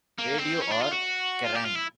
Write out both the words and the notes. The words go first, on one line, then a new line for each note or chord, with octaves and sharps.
Radio or Kerrang!
A#3
C4
C#4
D4
F4
F#4
F4
G4
F4
E4